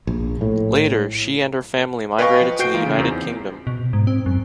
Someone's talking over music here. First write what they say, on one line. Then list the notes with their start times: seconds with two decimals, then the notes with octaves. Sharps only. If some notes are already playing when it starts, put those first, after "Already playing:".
Later she and her family migrated to the United Kingdom.
0.07 A#1
0.41 A2
2.19 B4 D#5 F5 G5 G#5 C#6
2.41 F3
2.59 F#4 G5 G6 C7 D7
2.74 E3 A#3 D#4 F4
2.86 C#3
2.99 E2 C4
3.67 B2
3.93 G#2
4.07 C4
4.26 F#2